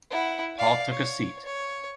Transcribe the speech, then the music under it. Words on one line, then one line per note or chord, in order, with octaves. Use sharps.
Paul took a seat.
E4 F#5
D5 F5
C#5
C#5